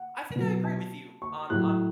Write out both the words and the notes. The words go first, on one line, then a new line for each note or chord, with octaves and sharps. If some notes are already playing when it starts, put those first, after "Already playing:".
I think I agree with you on on
Already playing: F#5
B2 F#3
A5
C#6
A2 F#3 F#6